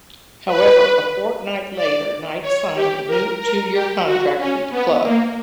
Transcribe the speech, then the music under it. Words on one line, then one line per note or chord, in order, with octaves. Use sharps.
However, a fortnight later, Knight signed a new two-year contract with the club.
B4
D5
C#5
G4
A#4
A#4
G4
F#4
C#4
B3
A#3